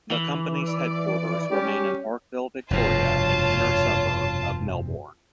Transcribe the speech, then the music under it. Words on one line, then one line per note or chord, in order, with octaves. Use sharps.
The company's headquarters remain in Parkville, Victoria, an inner suburb of Melbourne.
E3
D5
G3 C#4 G4
F1 G2 B2 F4 C#5 A5